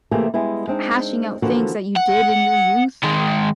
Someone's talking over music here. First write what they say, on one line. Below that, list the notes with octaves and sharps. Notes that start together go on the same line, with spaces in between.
hashing out things that you did in your youth,
C3 E3 A3 A#3 G4 G#4
G3 G#3 B3 E4
G#3 C4 D4 D#4
D3 E3 F3 A#3 B3 F#4
F#5
D#3 G#3